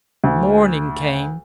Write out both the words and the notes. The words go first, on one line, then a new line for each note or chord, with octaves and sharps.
Morning came!
D2